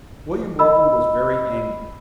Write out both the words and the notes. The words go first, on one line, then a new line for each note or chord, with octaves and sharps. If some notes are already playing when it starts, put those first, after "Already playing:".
William Roper was very angry.
D#5 B5 E6